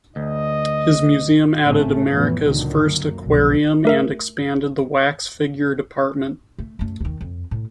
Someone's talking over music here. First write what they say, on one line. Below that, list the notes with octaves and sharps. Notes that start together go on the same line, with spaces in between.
His museum added America's first aquarium and expanded the wax-figure department.
D2 D#5
G#1 A2 C#3 A3 C4 C#4
F2 A2 E3 F#3 B3
C#2 A#2 D3 D#3 F#3
F#2 A#3
F#1 B1 B2 F3
A3 A#4 E5
A3
F#2 A3
D#2 D#3
F2
A2